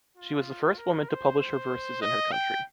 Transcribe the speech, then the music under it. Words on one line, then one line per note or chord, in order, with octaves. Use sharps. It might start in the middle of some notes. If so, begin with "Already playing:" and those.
She was the first woman to publish her verses in her country.
F4
A#4
C5
C5
D#5
G5